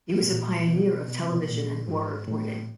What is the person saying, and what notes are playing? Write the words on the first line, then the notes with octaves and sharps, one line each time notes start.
He was a pioneer of television and war reporting.
A2
A#2
B2
B2
C3
B2
A#2
G#2
A2